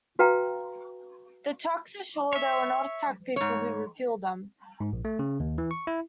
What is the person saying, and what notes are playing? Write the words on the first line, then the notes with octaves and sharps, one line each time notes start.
The trucks assure they will not attack people who refuel them.
F#4 B4 F5 G5 A#5
C#5 E5
G#2 C#5
G#2
A#1
A3
C#3
D#2
E3
C#6
E4